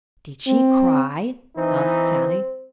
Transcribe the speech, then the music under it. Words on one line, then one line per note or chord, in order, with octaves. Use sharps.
"Did she cry?" asked Sallie.
C4
E3 C4 D#4